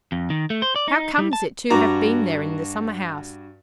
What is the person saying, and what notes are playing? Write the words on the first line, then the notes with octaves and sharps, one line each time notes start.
How comes it to have been there in the summer-house?
F2
D#3
A3
C5
D5
D#4
G3
A5
G2 F#4 A#5 D6